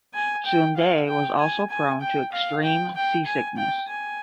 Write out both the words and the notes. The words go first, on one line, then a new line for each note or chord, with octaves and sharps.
Sunde was also prone to extreme seasickness.
G#5
G5
F5
G5
G#5
G#5
G5
F5
G5
G5
G#5
G5
G#5